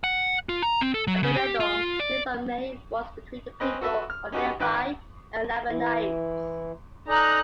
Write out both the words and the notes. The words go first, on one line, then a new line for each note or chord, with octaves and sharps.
Abinadom speaks of many wars between the people of Nephi and the Lamanites.
F#5
F4
A#5
C4
A4
F#3
C#3
G4
F4
D5
C4 C#4 B4 D#5 B5
F#4 A4 B4 E5
F6
C#4 D#4 F#4 G4 B4
G#1 D#3 B4 G5 D6 F#6
E3 E4
D#4 A4 D5 G#5 A#5 F#6